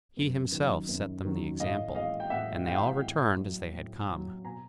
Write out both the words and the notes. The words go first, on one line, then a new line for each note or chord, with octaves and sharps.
He himself set them the example, and they all returned as they had come.
F#2
D#3 F#3
F#2
D#3 F#3
A2 D#5 F5
E3 G#3 D#5 F5
G5
A2 E5 F#5
E3 G#3 F5 G5
A2
F#3
A2
F#3
B2 G#5 A#5